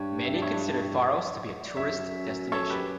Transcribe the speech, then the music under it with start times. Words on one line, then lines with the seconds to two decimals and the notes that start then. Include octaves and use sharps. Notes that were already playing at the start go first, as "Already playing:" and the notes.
Many consider Faros to be a tourist destination.
Already playing: G2 C#5
0.25 E5
0.34 D5
0.42 C#5 E5
1.65 D5
1.76 F#2 C#5 E5
2.52 A4 C#5
2.70 G4 B4